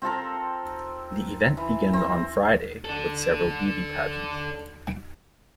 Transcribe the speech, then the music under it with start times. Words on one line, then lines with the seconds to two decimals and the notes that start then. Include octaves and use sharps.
The event begins on Friday with several beauty pageants.
0.02 C4 F4 A4 A#4
1.57 E3
1.93 C4
2.85 D4 A4